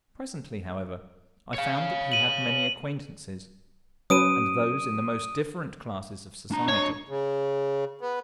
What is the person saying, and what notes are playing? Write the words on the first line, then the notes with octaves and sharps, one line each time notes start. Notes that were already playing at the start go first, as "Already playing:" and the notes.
Presently, however, I found that he had many acquaintances, and those in the most different classes of society.
C#5 F5
D#7 F#7
F#3 C#4 B4 D#6 D7 D#7
D4 A#5
D4 C#5 D#5
C#3
B3